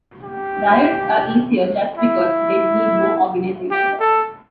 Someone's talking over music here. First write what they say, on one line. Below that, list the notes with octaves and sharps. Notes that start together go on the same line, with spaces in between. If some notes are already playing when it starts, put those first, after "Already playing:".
Riots are easier just because they need no organization.
G4
E4
G4
A4